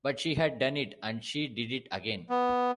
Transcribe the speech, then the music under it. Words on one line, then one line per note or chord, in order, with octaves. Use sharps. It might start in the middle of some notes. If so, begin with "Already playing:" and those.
But she had done it, and she did it again.
B3